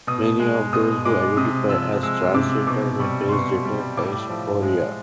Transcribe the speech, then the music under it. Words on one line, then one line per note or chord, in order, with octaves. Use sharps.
Many of those who identify as transgender may face gender dysphoria.
B2 D#6
G#3
B2 D#6
G#3 D6
C3 D#6
F3 E6
G#3 E6
C3 D6
B2 D6
G3 C#6
C6
B2 C#6
G3
A2 D6
F3
G#3